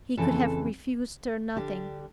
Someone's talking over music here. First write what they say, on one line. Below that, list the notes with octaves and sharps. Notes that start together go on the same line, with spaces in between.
He could have refused her nothing.
F2 C#3 E3 A4
D3 G3 D4 G4